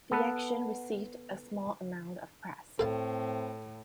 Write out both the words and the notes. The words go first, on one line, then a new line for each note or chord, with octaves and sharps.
The action received a small amount of press.
B3 A4 B4
A2 C4 A4 F5 A5